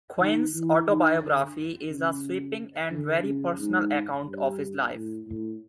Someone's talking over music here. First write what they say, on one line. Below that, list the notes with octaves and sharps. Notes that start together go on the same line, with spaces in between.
Quinn's autobiography is a sweeping and very personal account of his life.
D#3
E3
D#3
D3
C#3
D3
C#3
G#2
G2
A2
A2